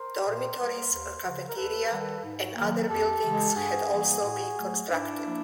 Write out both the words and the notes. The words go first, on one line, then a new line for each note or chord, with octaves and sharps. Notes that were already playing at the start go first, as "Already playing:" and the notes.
Dormitories, a cafeteria, and other buildings had also been constructed.
Already playing: A#4 C5
A#2
G3 A#3
D#2
C#3 F3
A#4
D#2 A4 B4
D#3 G3
G#2
D#3 F#3 A#3
F2 G4 A4
C#3 E3 G#3
G2 F#4 G#4
E3 G3 A#3
A2
F#3 A3
G#2 D4 E4
F3 A#3